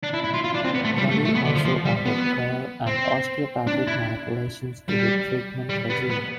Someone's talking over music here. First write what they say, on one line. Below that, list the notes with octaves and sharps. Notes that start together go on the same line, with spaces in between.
Kelley also added prayer and osteopathic manipulations to his treatment regime.
D4
E4
E4
F4
F4
D4
C4
B3
A3
G3
A3
A3
B3
D3
F3
F3
G3
B3
C4
D4
E4
G3
G3
B3
B3